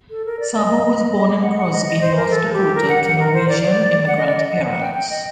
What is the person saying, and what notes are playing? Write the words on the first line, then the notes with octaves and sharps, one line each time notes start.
Sabo was born in Crosby, North Dakota, to Norwegian immigrant parents.
A4
A#4
D5
D#5
D#5
F#5
D#5
F#5
D#5
D#5
C5
A#4
A4
G4
A#4
F#5
F#5
A#4
C5
D5
F#5
D#5
D5
D#5
F#5
F#5
G5
G5
D#5